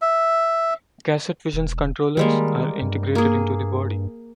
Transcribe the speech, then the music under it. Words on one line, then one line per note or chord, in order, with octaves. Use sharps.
Cassette Vision's controllers are integrated into the body.
E5
E1
D#3 G3 G#3 A#3
G2
A#3 G#4